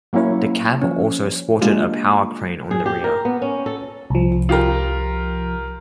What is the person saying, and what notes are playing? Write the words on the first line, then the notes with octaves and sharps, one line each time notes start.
The cab also sported a powered crane on the rear.
F#3 A#3 C#4 E4 C#5
F3 C#4
G#3 A#3 D4 F4 G4
G#4
G4
A#4
B3
C#4
A4
C2 F3
F4 G4 A#4